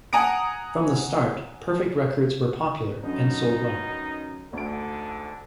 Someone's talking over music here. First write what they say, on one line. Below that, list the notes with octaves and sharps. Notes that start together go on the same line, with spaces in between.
From the start, Perfect Records were popular and sold well.
F#5 G#5 A#5 D#6 D7
F#2 B2 D3 D#3 D#4
D2 G#2 D3 D7